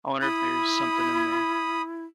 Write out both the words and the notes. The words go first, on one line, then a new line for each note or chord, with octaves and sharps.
I wonder if there's something in there.
E4 B5 D#6